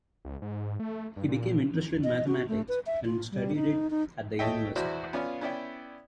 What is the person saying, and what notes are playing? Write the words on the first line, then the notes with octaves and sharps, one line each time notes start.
He became interested in mathematics and studied it at the university.
C#2
G#2
A3
G2
A#2
D#5
F#4
A3
B4
E5
F4
G3
D#4
D#4
A4 C#5 D#5 E5 G5
E2 E4 F#4 C5 D5
B3 C#4 F4 D5 F5 G#5
B3 C#4 E4 D5 E5 G5